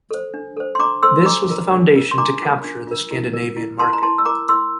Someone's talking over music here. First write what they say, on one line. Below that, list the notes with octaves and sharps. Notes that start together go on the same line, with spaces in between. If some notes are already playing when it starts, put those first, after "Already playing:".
This was the foundation to capture the Scandinavian market.
A4 C5
D4
A4 C5
C6
D4 A#5 D6
A4 C5 C6 E6
D4 A#5 D6
F4 A#4
D4
F4 A#4
C6
D4 A#5 D6
F4 A#4
D4
F4 A#4
E4
A#4
E4
A#4 A5 C6
A#5
E4 A5 C6
E6
A#4 A#5 D6
E4 C6 E6